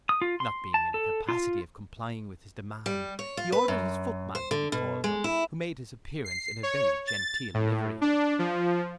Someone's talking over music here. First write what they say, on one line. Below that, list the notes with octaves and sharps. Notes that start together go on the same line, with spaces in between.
Not being in a capacity of complying with his demand, he ordered his footman to be called up, who made his appearance in a very genteel livery.
D#6
F4
C6
A5
A4
F4
G3
C#5
F4
B4
F#2
C5
D3
B2
G#3
E4
C7
C#5
A6
A2
D4
F3